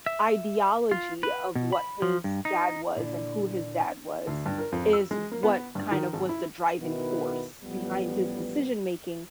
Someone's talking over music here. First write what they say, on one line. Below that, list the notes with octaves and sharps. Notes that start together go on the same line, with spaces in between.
ideology of what his dad was and who his dad was, is what kind of was the driving force behind his decision making.
E5
F4
B4
B2
B5
F3
G2
D#4
A#2 D3 E4 D5
D2
G2
A#4
F2
E6
G#3
A#3
B3
G2
D#3
G#1
E4
B2 D#3 B3 E4 F#4 B4
A1 F3 G3 B3